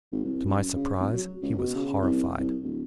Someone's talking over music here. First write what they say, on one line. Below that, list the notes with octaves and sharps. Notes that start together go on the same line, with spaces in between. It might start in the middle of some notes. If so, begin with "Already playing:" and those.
To my surprise he was horrified.
G#1
C2
F#2
C#3
F1
F#3
C#2
B2
C#3
C2
C2
D1